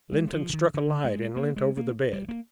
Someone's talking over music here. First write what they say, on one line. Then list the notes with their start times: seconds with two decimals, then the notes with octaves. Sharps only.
Lynton struck a light and leant over the bed.
0.12 G#3
0.33 F3
0.50 D3
0.53 D#3
0.74 D3
1.05 G#3
1.36 A#3
1.56 G#3
1.77 A#3
2.13 G3
2.29 A#3